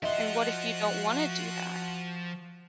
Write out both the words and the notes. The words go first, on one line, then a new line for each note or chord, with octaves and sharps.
and what if you don't wanna do that?
F3 F#4 D#5 E5 F#5 C6